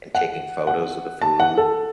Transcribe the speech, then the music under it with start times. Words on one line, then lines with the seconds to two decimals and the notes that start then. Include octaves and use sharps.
and taking photos of the food,
0.15 F#5
0.67 F#5
1.22 A5
1.40 F#5
1.58 A4